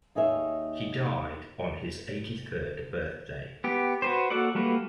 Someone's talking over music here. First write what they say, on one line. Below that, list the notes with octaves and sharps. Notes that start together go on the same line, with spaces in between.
He died on his eighty-third birthday.
D#2 D#4 G#4 C#5 E5
B3 G4
F#4 B4 C5
A#3 F#4 A4 D5 F#5
G3 A3 A#3 F#4 B4